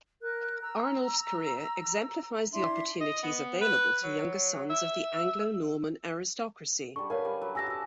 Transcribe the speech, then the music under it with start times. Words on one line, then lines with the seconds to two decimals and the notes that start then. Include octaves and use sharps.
Arnulf's career exemplifies the opportunities available to younger sons of the Anglo-Norman aristocracy.
0.22 A#4 F#6
0.62 A#5 E6
2.53 D4 E4 E5 C6
3.01 D#5
3.23 B3
3.61 B4
4.03 F#3
4.70 E5
6.96 D3 G3 C#6
7.10 A#4 B4 C#5 F5 G#5
7.25 G3
7.42 F#3
7.55 G4 G#5 A5 E6 A#6
7.67 F#4 G#5 E6